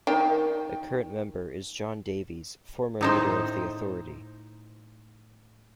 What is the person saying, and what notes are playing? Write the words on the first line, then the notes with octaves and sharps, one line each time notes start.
The current member is John Davies, former leader of the authority.
D#3 D5 G5
A2 D#4 C5